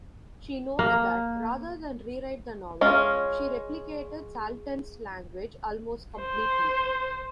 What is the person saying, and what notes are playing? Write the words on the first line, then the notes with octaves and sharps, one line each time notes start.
She notes that rather than rewrite the novel, she replicated Salten's language almost completely.
A#3
G#3 C#4 F4
C5